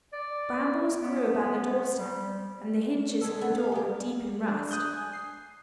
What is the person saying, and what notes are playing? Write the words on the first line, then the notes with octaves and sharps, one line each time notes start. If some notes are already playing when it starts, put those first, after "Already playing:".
Brambles grew about the doorstep, and the hinges of the door were deep in rust.
D5
B3
G3
D3 G#3 A3 A4
B3
F5
G#3 G4
D4
D#6 F#6 G6
G#5
C7